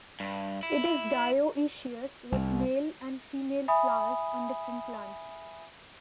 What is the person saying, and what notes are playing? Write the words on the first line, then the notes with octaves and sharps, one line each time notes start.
It is dioecious, with male and female flowers on different plants.
G2
E4
C2
E5 G#5 B5 D#6